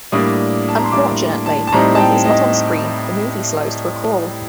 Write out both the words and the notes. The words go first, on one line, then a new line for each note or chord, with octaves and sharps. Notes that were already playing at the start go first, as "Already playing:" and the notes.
Unfortunately, when he's not on screen, the movie slows to a crawl.
A2 G3 A#3 D4 D#6
A5
A#5
C6
A2 G3 A#3 D4 D6
A5
A5
A2 G3 C4 D#4 A#5
A5
G5
D#5